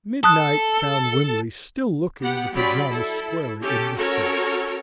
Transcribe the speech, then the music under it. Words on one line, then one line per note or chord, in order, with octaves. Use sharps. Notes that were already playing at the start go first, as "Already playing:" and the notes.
Midnight found Wimley still looking the pajamas squarely in the fuzz.
A4 D#6 F#6
B3 G4 F#5
F#3 C#4 G4 D5 B5 C6
E4 A4
C#4 G4 A4
C#4 F#4 A4 A#4 C#5